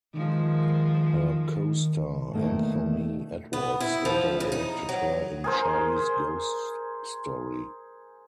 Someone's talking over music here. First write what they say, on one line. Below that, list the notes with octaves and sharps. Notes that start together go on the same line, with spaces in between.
Her co-star, Anthony Edwards, later directed her in "Charlie's Ghost Story".
D#3 F3 G#3
B2 D#3 A3 A#3 D4
B3
E4
F3
C#3
D#4
F#3
G#4 A#4 C5